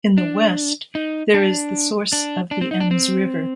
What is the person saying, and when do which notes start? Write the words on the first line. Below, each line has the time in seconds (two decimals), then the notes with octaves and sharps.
In the west there is the source of the Ems river.
0.18 D4
0.95 D#4
1.34 D4
2.13 D4
2.51 D4
2.61 C4
2.71 D#4
2.80 D4
2.91 C4